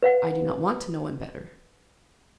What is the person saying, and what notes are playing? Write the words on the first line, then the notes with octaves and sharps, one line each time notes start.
"I do not want to know him better."
B4 F5 F#5